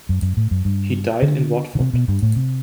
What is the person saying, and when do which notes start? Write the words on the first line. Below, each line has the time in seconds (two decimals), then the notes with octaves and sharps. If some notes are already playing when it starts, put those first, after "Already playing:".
He died in Watford.
0.09 F#2
0.22 F#2
0.37 A2
0.51 F#2
0.65 G2
1.22 D3
1.75 D3
1.80 C3
1.94 B2
2.08 G2
2.22 A2
2.36 C3